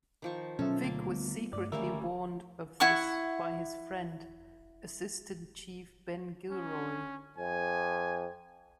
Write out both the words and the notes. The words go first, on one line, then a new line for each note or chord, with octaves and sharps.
Vic was secretly warned of this by his friend, Assistant Chief Ben Gilroy.
D#3 F3 C#6
B2 F#3 C#4 A4 E5
D2 A#3
G3 B3
G2 A3 D5
D3 D#3 G3 A3 A#3 C#4 A#4 E5
E4 F#5 C#6
C#4
F2 G#5